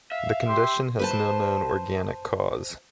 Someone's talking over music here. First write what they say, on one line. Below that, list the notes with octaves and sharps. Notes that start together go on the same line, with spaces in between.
The condition has no known organic cause.
E5 F5
G4 C6
B4 C5 A5